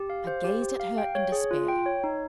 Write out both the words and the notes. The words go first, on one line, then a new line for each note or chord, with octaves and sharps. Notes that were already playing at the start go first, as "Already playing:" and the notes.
I gazed at her in despair.
Already playing: G4
F5
C5
G4
G4
F5
G5
C#5
G#4
F4
G5
C#5
D#4